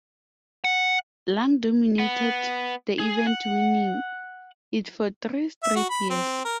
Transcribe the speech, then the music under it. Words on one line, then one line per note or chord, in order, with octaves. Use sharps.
Lang dominated the event, winning it for three straight years.
F#5
B3
G#4
F#5
E5
F#4
B5
C4
A#4